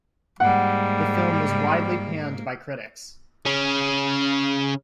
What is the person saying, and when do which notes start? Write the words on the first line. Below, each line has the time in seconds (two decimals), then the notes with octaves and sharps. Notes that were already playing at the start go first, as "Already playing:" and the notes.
The film was widely panned by critics.
0.40 G#2 G3 A#3 F#5
3.46 C#3 C#4